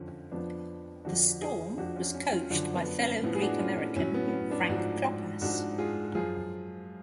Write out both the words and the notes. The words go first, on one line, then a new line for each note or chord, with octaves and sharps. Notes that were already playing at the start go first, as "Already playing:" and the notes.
The Storm was coached by fellow Greek-American Frank Klopas.
Already playing: F2 D3 F3 C#4
F2 F3 B3 D4
F2 D3 F3 D4 F#4
F4 G#4
F2 F3 D4 F#4
C#4 F4
C#4
C#4 F4
F#2 D3 F3 D4 F#4
B3 D4
C#4
A2 F3 B3
G#4
D4 F#4
C#4 F4
C#4
A2 F#3 C#4
B3
B3
C#4
B3 D4
G#2 F3 D4 F#4
G#2 F3 D4 F#4
F4 G#4
F#2 F3 F4 G#4